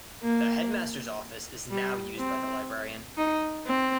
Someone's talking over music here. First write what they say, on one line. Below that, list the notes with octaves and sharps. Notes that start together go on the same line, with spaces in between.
The Headmaster's office is now used by the librarian.
A#3
G3
C4
D#4
C4